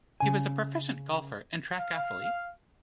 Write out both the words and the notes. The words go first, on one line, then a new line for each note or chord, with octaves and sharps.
He was a proficient golfer and track athlete.
C#3 G#5
F5